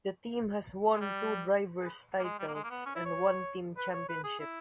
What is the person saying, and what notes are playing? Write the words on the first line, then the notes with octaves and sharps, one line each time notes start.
The team has won two drivers titles and one team championship.
G#3
G3
A#3
G#3
G3
A#3
G#3
A#3
B3
C#4
E4
C#5
B4
C#5
B4
G#4
E4